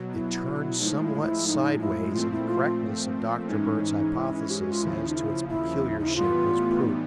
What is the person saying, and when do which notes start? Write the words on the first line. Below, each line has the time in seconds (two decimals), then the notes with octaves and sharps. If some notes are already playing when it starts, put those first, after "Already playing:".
It turned somewhat sideways and the correctness of Dr. Bird's hypothesis as to its peculiar shape was proved.
Already playing: B2 F#3
0.13 E4
0.80 A2 F3 G#3 D#4
1.03 E4
1.21 D#4
1.25 E4
1.47 D#4
1.81 E4
2.14 A#2 F3 A3 C4 F4
2.31 E4
2.48 F4
2.64 F4
3.48 G#2 E3 G#3 C#4 D#4
4.15 E4
4.50 G4
4.61 F#4
4.71 F4
4.82 D#2 C#3 F3 E4
5.09 D#4
5.16 E4
5.49 E4
6.00 D#4
6.07 E4
6.16 A2 E3 G3 B3 F4
6.83 D#4